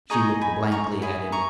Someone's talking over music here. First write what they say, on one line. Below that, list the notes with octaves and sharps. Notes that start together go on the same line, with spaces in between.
She looked blankly at him.
D#4 G#4 D#5 A#5 C#6
G#5 B5
A#5 C#6
E4 G#4
A#5 C#6